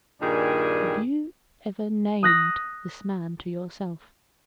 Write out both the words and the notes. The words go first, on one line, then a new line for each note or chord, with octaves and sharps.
"Have you ever named this man to yourself?"
G2 A#2 D#3 G#4 D5 G#5
D#6 F#6 A#6 B6